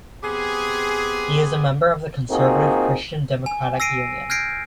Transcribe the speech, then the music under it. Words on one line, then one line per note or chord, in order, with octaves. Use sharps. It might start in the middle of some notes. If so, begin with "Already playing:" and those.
He is a member of the conservative Christian Democratic Union.
B3 C4 G4 G#4
A#3 C4 D#4 F4 F#4 G#4
G#5
E6 A#6 C7 D7 D#7
F6 G6 G#6 A#6 C7 D7